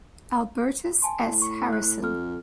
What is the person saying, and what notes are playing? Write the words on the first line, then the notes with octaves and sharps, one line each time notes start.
Albertis S. Harrison.
G#5 A5 C6
A2
C#6 C#7
F#6
F2 A4 F6